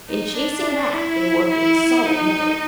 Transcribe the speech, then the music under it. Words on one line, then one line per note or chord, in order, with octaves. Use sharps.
In chasing that they worked in solid metal.
D#4
D4
E4
E4
D#4